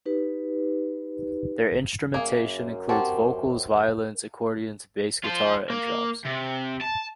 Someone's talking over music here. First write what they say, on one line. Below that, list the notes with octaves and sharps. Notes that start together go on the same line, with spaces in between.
Their instrumentation includes vocals, violins, accordions, bass guitar, and drums.
D#4 G4 B4
F#2 A#3 G#4
C4 C#4 G4 F#5 A5
F4 C5
A#3
C3
A5